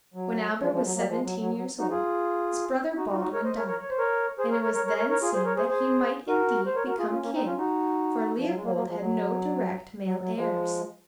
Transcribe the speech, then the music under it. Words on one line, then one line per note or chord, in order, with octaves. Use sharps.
When Albert was seventeen years old, his brother Baldwin died, and it was then seen that he might indeed become King, for Leopold had no direct male heirs.
F#3
F3 G#3
F3 G#3
F#3
F#3 A#3
F3 G#3
F#3
F#3
F#3
D#4 F#4
F4 G#4
D#4 F#4
D#4 F#4
F4
D#4 F#4
A#4 C#5
C5 D#5
A#4 C#5
A#4 C#5
C#5
C5
A#4 C#5
G#4 C5
A#4 C#5
A#4 C#5
A#4 C#5
A#4 C#5
A#4 C#5
A#4 C#5
F4 G#4
G#4 C5
A#4 C#5
G#4 C5
G#4 C5
F#4 A#4
C5
A#4 C#5
F#4 A#4
F4 G#4
C#4 F4
A#3 C#4
C4 D#4
C#4 F4
D#4 F#4
F3
F#3
G#3
F#3 A#3
F#3 A#3
F3 G#3
F#3
F#3
F#3
F3 G#3